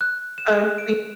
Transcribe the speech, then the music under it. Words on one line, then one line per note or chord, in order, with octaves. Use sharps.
Um, thi
F#6
E7
F#6
D7